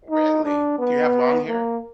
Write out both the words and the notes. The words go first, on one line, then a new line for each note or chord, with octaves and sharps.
Really? Do you have long hair?
D#4
D4
B3
A#3